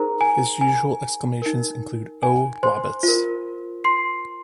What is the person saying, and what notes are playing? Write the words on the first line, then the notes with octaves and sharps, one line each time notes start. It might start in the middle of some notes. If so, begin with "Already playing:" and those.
His usual exclamations include Oh, Globbits!
Already playing: D#4 G#4 A#4 C5 A#5
G#5
G#5
D#4 A#4
G#5
C5 C6
F4
A#4
C6 C7